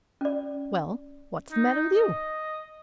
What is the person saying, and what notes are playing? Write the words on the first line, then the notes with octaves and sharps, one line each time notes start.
"Well, what's the matter with you?"
C#4 D5
D#4
D#5